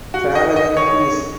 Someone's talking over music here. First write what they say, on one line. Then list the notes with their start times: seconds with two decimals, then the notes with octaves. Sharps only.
Travel in peace.
0.14 F#4
0.35 D#5
0.56 D#5
0.77 C#5